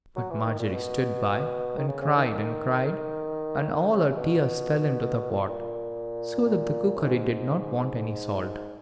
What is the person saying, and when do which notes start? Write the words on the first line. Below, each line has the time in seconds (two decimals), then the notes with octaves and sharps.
But Margery stood by, and cried and cried, and all her tears fell into the pot, so that the cookery did not want any salt.
0.16 F#3
0.30 E3
0.45 D#3
0.59 A#2
0.73 B2
1.77 D#3
1.88 C#3
2.02 C#3
2.16 D#3
2.31 D#3
3.59 D#3
3.88 C#3
4.17 B2
5.31 A#2
5.40 B2
5.49 A#2
6.45 A#2
6.96 F#2
7.03 G#2